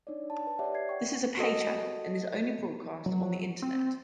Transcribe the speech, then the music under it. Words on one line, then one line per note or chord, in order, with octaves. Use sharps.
This is a pay channel, and is only broadcast on the Internet.
D4 D#4 C#5 D5
A5
B4
G4 C#5 D5 E5 F#5
G#6 C7
F#5 G5 C#6
F#4 A4 D#5
F#3
C4